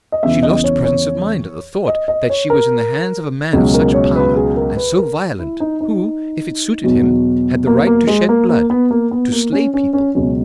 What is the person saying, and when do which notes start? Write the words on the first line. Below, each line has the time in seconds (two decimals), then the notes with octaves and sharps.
She lost presence of mind at the thought that she was in the hands of a man of such power and so violent, who, if it suited him, had the right to shed blood, to slay people.
0.12 D#5
0.23 E2 C#3 E3 E5
0.43 D#5
0.64 C#5
0.84 C#5
1.88 D#5
2.08 D#5
2.30 C#5
2.50 A#4
3.53 C#2 B2 F#3
3.74 A#4
3.94 C#5
4.16 B4
4.36 G#4
4.56 A#4
4.77 B4
4.97 A#4
5.39 E4
5.60 D#4
5.81 D#4
6.84 E2 B2 F#3
7.67 A#3
7.87 A#3
8.07 G#3
8.29 A#3
8.49 A#3
8.70 B3
8.91 A#3
9.11 B3
9.32 A#3
9.52 C#4
9.74 C#4
9.93 C#4
10.15 C#2 B2 F#3 C#4